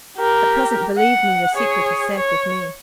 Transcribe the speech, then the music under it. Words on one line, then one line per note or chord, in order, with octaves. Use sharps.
At present, believe me, your secret is safe with me.
G4 A#4
F#5
G#4 C#5
C#5